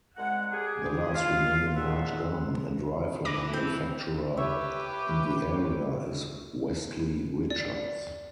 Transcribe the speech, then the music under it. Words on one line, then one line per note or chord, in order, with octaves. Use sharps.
The last remaining large gun and rifle manufacturer in the area is Westley Richards.
C2 G#3 F#5
G4 G#4
F4
C#2 A#2 E5 F#5 C6
E3 B4 D6 A#6
C4
G4 B4 C#5 E5
D5